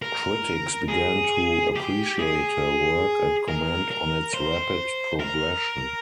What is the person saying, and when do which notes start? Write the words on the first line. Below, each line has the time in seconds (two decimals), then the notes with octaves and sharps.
Critics began to appreciate her work and comment on its rapid progression.
0.02 A#4
0.88 G#4
1.75 G4
2.19 G#4
3.48 A#4
3.91 A#4
4.34 C5
5.20 A#4